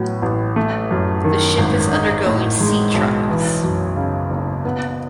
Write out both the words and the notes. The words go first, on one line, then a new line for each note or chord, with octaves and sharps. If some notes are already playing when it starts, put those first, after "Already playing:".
The ship is undergoing sea trials.
Already playing: A2 F#3 B3
A1
A3
F#2
D#3
G#1
D#4
A2
G#3
B1
E3
F#2
C#3
F#1
B3